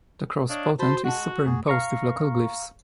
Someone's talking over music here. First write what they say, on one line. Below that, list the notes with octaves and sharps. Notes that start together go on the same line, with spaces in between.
The cross potent is superimposed with local glyphs.
D4 C#5 D#5 F5
F#4 C5 A5 B5 C6
G#3 F#4 F#5 A5
F#2 A3 F#4 G#4
F5 A#5 C#6